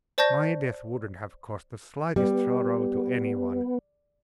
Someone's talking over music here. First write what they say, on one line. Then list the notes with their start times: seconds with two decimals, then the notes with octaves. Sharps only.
My death wouldn't have caused the slightest sorrow to any one.
0.18 C5 D5 A5 C#6 G6 A#6
2.16 G3 B3